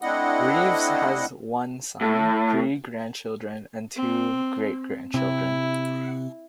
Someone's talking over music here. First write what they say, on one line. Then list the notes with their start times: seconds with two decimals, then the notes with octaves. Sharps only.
Reeves has one son, three grandchildren and two great-grandchildren.
0.02 A3 C4 D4 E4 D#5 F#5
2.01 A2
3.96 C4
5.14 C3 E4